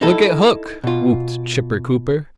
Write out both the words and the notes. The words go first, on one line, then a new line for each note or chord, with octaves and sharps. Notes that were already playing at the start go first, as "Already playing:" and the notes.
"Look at Hook!" whooped Chipper Cooper.
D#4 E4 A4
B2 F4